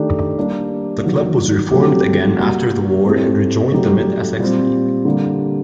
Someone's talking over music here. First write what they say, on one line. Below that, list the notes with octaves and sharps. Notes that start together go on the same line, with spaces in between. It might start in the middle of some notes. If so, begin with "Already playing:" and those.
The club was reformed again after the war and rejoined the Mid-Essex League.
Already playing: D#3 A3 D4 G4
G3 A#3 D4
D#3 F#3 A#3
F#3 A3 C4 G4
G3 A#3 F#4
A2 A3 C4 G4
F#3 A3 D#4 G4
A#2 G3 C4
D3 G3 A#3